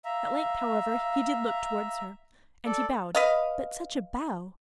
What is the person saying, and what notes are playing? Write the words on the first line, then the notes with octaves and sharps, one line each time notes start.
At length, however, he did look towards her, and he bowed--but such a bow!
E5 F5 A#5
A4 D5
B4 D#5 F5